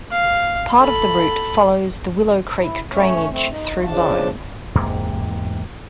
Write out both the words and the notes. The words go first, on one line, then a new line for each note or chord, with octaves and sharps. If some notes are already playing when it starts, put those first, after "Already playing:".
Part of the route follows the Willow Creek drainage through Ione.
F5
A4 B5
E4
A3 C#4 C#5
A3 C4
D#4
C#3 F3 D4 A5
E2 G#2 C3 A#3